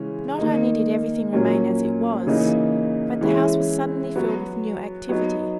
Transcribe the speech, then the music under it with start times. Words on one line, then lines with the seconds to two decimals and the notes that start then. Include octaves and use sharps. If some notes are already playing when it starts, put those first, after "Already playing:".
Not only did everything remain as it was, but the house was suddenly filled with new activity.
Already playing: C#3 E3 G#3 C#4
0.39 D#3 A#3 D#4
1.33 A#2 F#3 A#3 C#4
2.27 C#3 E3 A#3 D#4
3.21 E3 G#3 C#4 E4
4.16 F#3 B3 F#4
5.09 F#3 B3 D#4